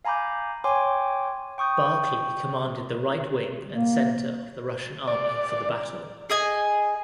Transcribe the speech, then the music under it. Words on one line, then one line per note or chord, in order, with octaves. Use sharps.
Barclay commanded the right wing and center of the Russian army for the battle.
F5 G#5 A#5 B5 D6 G6
C#5 G5 G#5 C6 D6
G5 C#6 D#6 G6
A#3
D5
G#4 D#5 G#5